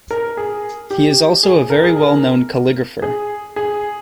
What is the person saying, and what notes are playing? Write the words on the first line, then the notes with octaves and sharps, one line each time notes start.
He is also a very well-known calligrapher.
A#4
G#4
G4
G#4
A#4
G#4
A#4
G#4
G#4